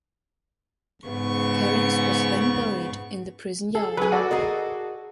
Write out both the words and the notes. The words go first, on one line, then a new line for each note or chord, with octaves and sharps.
Kerins was then buried in the prison yard.
G#2 C#3 B3 C#6
G#4 A4
F#3 G#4 B4 G#5
F#4 A4 D5
G#4 A#4 D#5